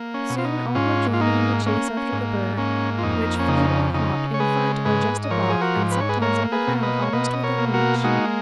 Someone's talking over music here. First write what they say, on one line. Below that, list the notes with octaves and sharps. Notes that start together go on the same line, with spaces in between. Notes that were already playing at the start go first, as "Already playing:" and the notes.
Soon all were joining in the chase after the bird, which flew or hopped in front or just above, and sometimes on the ground almost within reach.
Already playing: A#3
C#4
B2
F4
D#4
G#2 C#4 F4
F4
A#3 D#4
A#3 C#4
C#4
G#2
A#3 C#4
F4
F2 D#4
C#4
C#3 D#4
C#3 D#4
C#5
G#3 G#4 B4
G#2 G#4 B4
D#5
F3 A#4 C#5
G#4
F#4 A#4
G#2
B4
C#5
G#4 B4
A#3 A#4 C#5
G#4 B4
B2
B4 D#5
C#5
B2 B4 D#5
D#5
A#4 C#5
A#3
F#4 A#4
G#3 D#4 F#4